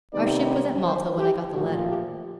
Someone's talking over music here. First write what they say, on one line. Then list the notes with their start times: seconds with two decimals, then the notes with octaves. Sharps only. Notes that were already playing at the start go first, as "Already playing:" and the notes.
Our ship was at Malta when I got the letter.
0.13 C3 D#3 G3 B3 D#4 D5
0.83 C5
1.18 G4
1.52 A#2 F3 A3 F#4
1.87 G4